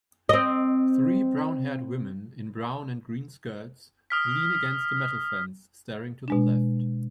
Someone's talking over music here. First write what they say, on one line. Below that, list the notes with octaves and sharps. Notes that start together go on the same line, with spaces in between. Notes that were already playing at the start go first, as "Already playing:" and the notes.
Three brownhaired women in brown and green skirts lean against a metal fence staring to the left.
C4 D#5
D#6 F6 B6
B2 G#3 D4